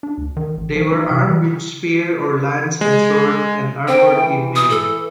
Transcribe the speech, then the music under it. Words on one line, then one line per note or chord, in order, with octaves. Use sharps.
They were armed with spear or lance and sword and armored in mail.
D4
D2
D#3
A1
F3
D#4
C3
E3
G#3
C4 G5
E3
D#6
A4